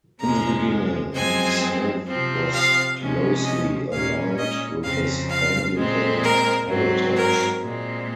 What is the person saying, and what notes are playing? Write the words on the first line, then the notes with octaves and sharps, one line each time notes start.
In the beginning, Smyth was closely aligned with his Anglican heritage.
F2 C3 F3 G#3 A#5
F#2 F3 G#3 C4 G#5
C3 F3 C4
F5
C3 F3 G#3 C#4
D#5
A#2 G#3 C#4 F5
D#5
F2 C#3 F3 C4 F5
F5
A#2 G#3 C4
A#4
G#2 F#3 C4
A#4
A#2 G#3 C4